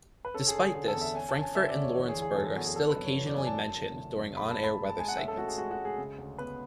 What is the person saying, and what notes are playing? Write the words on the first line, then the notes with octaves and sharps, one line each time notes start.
Despite this, Frankfort and Lawrenceburg are still occasionally mentioned during on-air weather segments.
B4
C#4 A4
G#4
D3
G#4
D3 G#4
A4
E2
E5
C#4 G#5
A5
C#4
G#5
D3 E5
D5
D2
C#5
E3 C#5
G#4
E3
G#4
F#2 A4
G#4
B3 F#4
G#4
D4 A4
B4
F#2
C#5
E3
D5
F#2 G#5
A5
F#2
D3
F#1
F#2
G#3 B5
A5
G#3
B5
G#3
A5
G#3 G#5
F#5
C#4 E5
A4
A1 F#4
G#4
G#3 F#4
F#4
G#3
G#4
C#3
D2
B3 B4